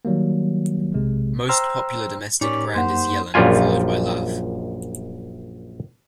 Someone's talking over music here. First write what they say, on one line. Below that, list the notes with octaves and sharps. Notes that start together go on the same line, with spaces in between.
Most popular domestic brand is Jelen, followed by Lav.
D#3 F#3 G3 A#3
B1 C3 G#3
C5 G5 A#5 C6 E6 F6
A2 C#4 D#4 G4 A#4 D5
F#2 A#3 C5 F#5
A#1 F#2 G3 F4 G#5